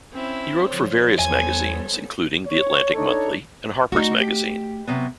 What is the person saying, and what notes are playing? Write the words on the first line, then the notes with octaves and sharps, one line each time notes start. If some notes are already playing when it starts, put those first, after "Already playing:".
He wrote for various magazines, including "The Atlantic Monthly" and "Harper's Magazine".
C4 C#4 E4
D3 F3 C5 C#5
E2 G3 B3 A4 G#5
C#5
D4 D#4 A4 C#5
A3 D#4 F#4
G4
C3 F#3 B3